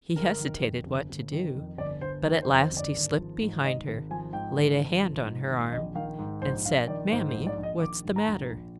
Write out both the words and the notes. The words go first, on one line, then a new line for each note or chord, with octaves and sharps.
He hesitated what to do, but at last he slipped behind her, laid a hand on her arm, and said: 'Mammy, what's the matter?
G1 A#4
D#3
F2
G1
G1
D#3
F2
G1 D5
G1 C5
D#3 A#4
C5
F2
C5
G1
D5
G#1
F3
G#2
G#1 D#5
G#1
F3 G#5
G#2 G5
G#1
G#1
F3
G#2
G#1
A#1 D#5
D#3 F5
G#2
A#1 C5
A#1 F5
D#3 D5
G#2 C5
C5
A#1
D5
A#1
D#5
D#3 D6
G#2
A#5
A#1
A#1